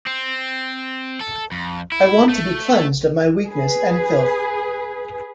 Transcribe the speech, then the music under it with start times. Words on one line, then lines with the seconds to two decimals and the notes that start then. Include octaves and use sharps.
I want to be cleansed of my weakness and filth.
0.06 C4
1.20 A4
1.52 F2
1.92 E4
2.29 A3
3.48 G#4 B4